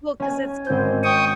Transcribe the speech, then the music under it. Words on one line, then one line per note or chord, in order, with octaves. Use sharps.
Well, 'cause it's
C#4 G#5
G#1 C4 G6
G5 C#6 D#6